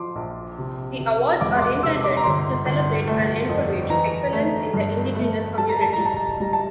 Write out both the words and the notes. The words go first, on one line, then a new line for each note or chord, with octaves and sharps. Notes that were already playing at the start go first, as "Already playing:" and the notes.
The awards are intended to celebrate and encourage excellence in the Indigenous community.
Already playing: F3 C6 D6
A#1
C3
C3
E1 D6
C6
D6
C3 E6
D6
A#5
G1 C6
G1
A3
F2
E3 A#5
A3
G2
A3
G3 A5
A#5
A5
A#5
G3
A5
A#5
A5
G3 A#5
A5